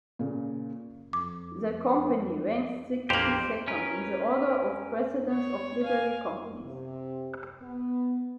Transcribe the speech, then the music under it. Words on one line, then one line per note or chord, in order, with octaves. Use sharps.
The Company ranks sixty-second in the order of precedence of Livery Companies.
A#2 C#3
F2 D6
A#1 F2 A#3 G4 C5 F7 F#7
C#4 A#4 B4
C#5
F5 G#5
C3
B3